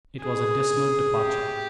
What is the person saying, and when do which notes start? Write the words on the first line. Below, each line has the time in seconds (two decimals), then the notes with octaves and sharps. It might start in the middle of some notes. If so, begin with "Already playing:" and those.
It was a dismal departure.
0.20 G#4
1.16 G4